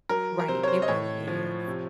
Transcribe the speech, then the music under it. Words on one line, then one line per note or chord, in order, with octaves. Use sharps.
Right, it really is,
F#3 A#4
A#4
C3 C5
C#5
C5
D#5
A2 C#5
F3
C3